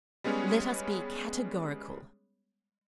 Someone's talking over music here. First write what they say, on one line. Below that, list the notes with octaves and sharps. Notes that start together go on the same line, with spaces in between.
Let us be categorical.
G3 G#3 B3 C#4 G#4 C#5